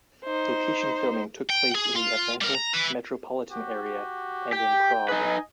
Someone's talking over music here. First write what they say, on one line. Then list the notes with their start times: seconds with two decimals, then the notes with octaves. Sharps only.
Location filming took place in the Atlanta metropolitan area and in Prague.
0.25 D#4 C5
1.50 G5
1.75 G#4
1.96 F4
2.41 G3 A#4
2.55 A#5
2.73 B4 E5
3.52 F#4 G4
4.52 G4 G5
5.09 D#4 B4 D#5 G#5